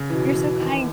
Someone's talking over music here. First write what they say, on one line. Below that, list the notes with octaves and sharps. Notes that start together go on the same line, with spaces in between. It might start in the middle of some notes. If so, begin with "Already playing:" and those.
You're so kind.
Already playing: C#3
B2 E3
E3
D#2